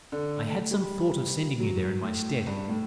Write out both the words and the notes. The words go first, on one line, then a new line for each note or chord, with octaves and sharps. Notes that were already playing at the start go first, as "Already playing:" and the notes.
I had some thought of sending you there in my stead.
D3
A3
G3
F#3
A2
G2
A2